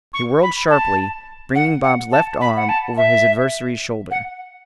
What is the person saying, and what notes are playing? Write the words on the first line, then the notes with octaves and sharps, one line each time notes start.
He whirled sharply, bringing Bob's left arm over his adversary's shoulder.
C#6
B5
A5
F#5
F#5
A5
B5
F#5
A5
E5
F#5